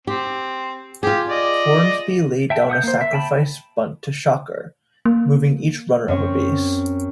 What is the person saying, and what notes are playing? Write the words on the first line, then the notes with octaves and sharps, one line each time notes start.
Hornsby laid down a sacrifice bunt to Shocker, moving each runner up a base.
C4 G4
F4 G4 G#4
D5 D#5
E5 G5 A5
F#5 D#6 G6
A#3 C5
E5
G5 A5 B5
A#3
F#2 C4 C#6